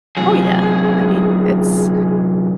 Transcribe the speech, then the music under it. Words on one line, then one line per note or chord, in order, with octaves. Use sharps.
Oh, yeah. I mean, it's
F#2 C3 G#4